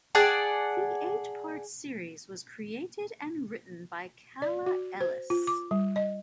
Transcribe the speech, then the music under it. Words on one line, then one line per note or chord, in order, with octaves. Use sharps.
The eight part series was created and written by Kala Ellis.
G#4 D5 F#5 A5
D5
F#4
C5
F4
D6
G3
D#5